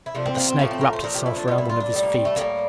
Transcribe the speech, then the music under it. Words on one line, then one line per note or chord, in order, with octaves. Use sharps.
But the snake wrapped itself around one of his feet.
E4
C3 F3 A3 D4
C4
A#3
C4
A2 F3 A3 A#3
C4
A#4
C5
A#2 F3 A3 A#4
G4
E4
D4
A#2 G3 F4
E4
F4
D4
A2 G3
A#3
C4
A3
A2 G3 A#3